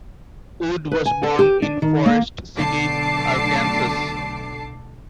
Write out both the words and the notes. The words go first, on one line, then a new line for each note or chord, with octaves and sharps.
Wood was born in Forrest City, Arkansas.
B4
G#5
A4
G4
D4
D#3
A#3
B1 D3 A3 A5 D6 C7